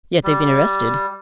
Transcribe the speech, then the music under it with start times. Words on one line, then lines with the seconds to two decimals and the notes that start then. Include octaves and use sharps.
"Yet they've been arrested?"
0.24 G3